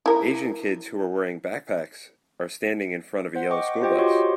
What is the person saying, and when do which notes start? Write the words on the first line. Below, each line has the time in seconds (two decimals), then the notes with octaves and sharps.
Asian kids who are wearing backpacks are standing in front of a yellow school bus.
0.06 E4 A#4
3.35 C5 F#5
3.50 D#5 G5 C#6 D6
3.82 F4 G4 C5 D#5 G5 C#6
3.99 F#4 G4 C#5 D#5 C6 C#6